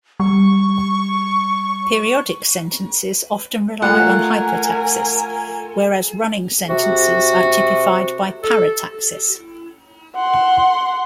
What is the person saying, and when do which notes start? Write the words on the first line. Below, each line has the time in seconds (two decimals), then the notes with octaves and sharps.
Periodic sentences often rely on hypotaxis, whereas running sentences are typified by parataxis.
0.20 G3 C#6
3.82 A3 F4 A#4 F#5 G#5
6.70 C3 F#4
8.43 A4
10.16 F#5 C6